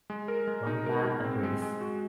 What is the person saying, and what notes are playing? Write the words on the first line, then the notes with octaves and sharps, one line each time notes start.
One man agrees.
G#3
A#4
G#3
D#4
A#4
G#3
C4
G#3
G#3
F#4